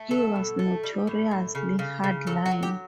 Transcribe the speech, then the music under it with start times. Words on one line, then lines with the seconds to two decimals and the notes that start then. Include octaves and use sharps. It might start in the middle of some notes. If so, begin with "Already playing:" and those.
He was notoriously hard line.
Already playing: A3
0.11 F#3 A4
0.36 B2
0.59 A3
0.83 G3
1.07 A2
1.31 A2
1.55 C#3
1.79 C#3
2.04 C#3
2.27 F#3 A4
2.46 F#4
2.51 F#3
2.63 G4